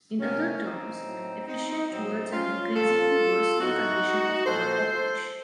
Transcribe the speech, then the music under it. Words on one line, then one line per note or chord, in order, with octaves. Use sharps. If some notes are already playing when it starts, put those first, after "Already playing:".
In other terms, efficient towards an increasingly worsening condition of overpopulation.
C3 F3 A#3 C#4
C4 D#4
A2 F#3
C4 D#4
A#2 F#3 C4 D#4
C#4 F4
A#2 F3 F4 A4
A2 F#3 D#4 F#4
A#2 F3 A4 C5